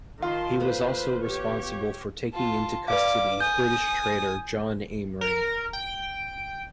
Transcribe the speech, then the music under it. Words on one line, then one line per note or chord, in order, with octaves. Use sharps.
He was also responsible for taking into custody British traitor John Amery.
D#3 F4 A5 C6
D#2 B3 A4 B4 C5
G4 C#5
F4 A5
B4 D5 F5 D6
G#5 D#6 G6
A#4
G5